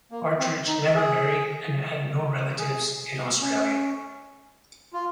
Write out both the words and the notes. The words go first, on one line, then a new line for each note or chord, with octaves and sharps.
Partridge never married and had no relatives in Australia.
A#3
C4
D#4
G#4
G#4
C#4
F4